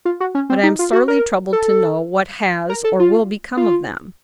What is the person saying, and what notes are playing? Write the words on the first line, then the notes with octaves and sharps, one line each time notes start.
But I am sorely troubled to know what has, or will become of them.
F4
F#4
C#4
C4
D#4
F4
F#4
A#4
A4
A#4
A4
F4
F4